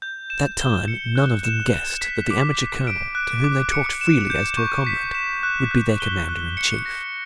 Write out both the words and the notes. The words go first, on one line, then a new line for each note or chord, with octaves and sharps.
At that time none of them guessed that the "amateur colonel," to whom they talked freely as to a comrade, would be their Commander-in-Chief.
G6
E7
G7
C#7
F#6
E7
F#6
B6
D6
B6
D7
F#6
D6
C#7
E7
G6
C#6
B6
E7
F#6
F#6
G7
F#6
C#7
A#6